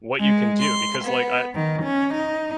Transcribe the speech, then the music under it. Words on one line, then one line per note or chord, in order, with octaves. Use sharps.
what you can do, because, like, I, eh, eh
G#3
C6
B3
D#3
C#4
D#4